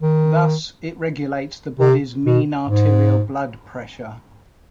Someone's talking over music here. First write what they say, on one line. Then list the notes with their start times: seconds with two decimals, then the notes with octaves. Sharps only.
Thus, it regulates the body's mean arterial blood pressure.
0.01 D#3
1.80 C3
2.25 B2
2.69 G#2